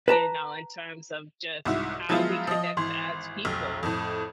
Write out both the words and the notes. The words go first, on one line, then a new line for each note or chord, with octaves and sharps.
you know, in terms of just how we connect as people,
B4 A5 A#5
C2 G#2 E4 F#4 E5
F3 F#3 G#3 B3 E4 F4
F3 D#5
G#1 E3 C6
F1 B1
F2 A2